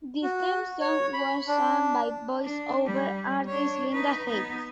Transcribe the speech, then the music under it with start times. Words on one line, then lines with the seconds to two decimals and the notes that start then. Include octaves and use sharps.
The theme song was sung by voice-over artist Lynda Hayes.
0.23 F#4
0.80 C#5
1.13 B5
1.47 D4
2.44 D4
2.85 G3
3.47 D4 C#5
3.93 D#4 B4
4.26 B3 D#4